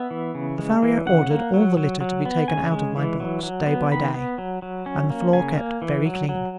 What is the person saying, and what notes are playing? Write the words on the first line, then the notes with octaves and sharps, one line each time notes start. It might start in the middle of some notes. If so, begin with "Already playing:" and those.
The farrier ordered all the litter to be taken out of my box day by day, and the floor kept very clean.
Already playing: B3 E5
E3
C#3
G#3
E3
C#3 F#5
A#3
F#3
F#3
F#3
B3
C#3 G#5
G#3
E3
F#3
F#3
B3
D#3 B5
B3
F#3
F#3
C#4
A#3
C#3 G#5
A#3
E3
F#3
F#3